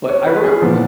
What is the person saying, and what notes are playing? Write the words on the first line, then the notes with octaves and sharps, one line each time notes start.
But I remember the
C#5
B4
G#4
A#2 F3 B3